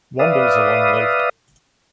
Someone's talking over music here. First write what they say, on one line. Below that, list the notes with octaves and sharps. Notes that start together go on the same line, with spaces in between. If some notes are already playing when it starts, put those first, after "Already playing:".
Wombles are long-lived.
B4 D5 E5 F5 D#6